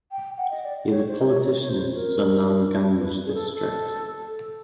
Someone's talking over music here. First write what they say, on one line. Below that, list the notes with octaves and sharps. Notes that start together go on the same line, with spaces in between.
He is Politician in Sunamganj District.
G5
F#5
D#5
D5
C#5
C5
C#5
C#5
C#5
C5
A#4
B4
G#4
A4
A4